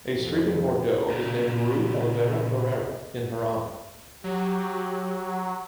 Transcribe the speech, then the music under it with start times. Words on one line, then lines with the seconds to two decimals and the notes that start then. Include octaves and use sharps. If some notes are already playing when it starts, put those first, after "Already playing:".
A street in Bordeaux is named Rue Elvira Guerra in her honour.
0.19 F2
1.10 A#2 C#3
4.24 F#3 G4